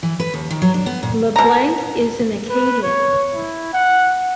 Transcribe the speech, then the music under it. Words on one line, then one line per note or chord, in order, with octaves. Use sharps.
LeBlanc is an Acadian.
E3
B4
D#2
D#3
F#3
D4
B3
A#2
B2 A#5
B4
C#5
E4
F#5